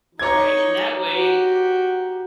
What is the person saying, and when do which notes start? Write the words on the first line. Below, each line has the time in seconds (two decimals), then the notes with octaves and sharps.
Right, and that way,
0.19 D#4 C#5 A#5 D6 G#6
1.12 F#4 G4